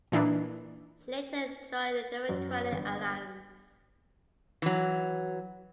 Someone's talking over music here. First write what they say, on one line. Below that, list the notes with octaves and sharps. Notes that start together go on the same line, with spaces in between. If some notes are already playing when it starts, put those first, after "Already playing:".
She later joined the Democratic Alliance.
A#2 E3 D4 D#4
F#2
G1
E3 F#3